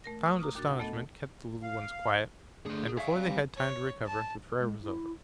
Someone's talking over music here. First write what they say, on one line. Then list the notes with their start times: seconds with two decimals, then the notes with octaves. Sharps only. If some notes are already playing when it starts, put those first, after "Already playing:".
Profound astonishment kept the little ones quiet, and before they had time to recover the prayer was over.
0.04 A3 A#4 A#6
0.24 C#6 D#6
0.39 A#5 D6 D#6 F6
0.55 D#2 A#2 D4 F#4 D6 A6
0.68 F#5
0.80 A3 B3 A4 D#5
1.63 F5
2.66 D3 A3 G#4 F#5
2.97 G#4 D5 E5 F5 C#6
3.16 G3 C4
3.57 C#5
4.06 A5
4.60 G#3
4.83 E4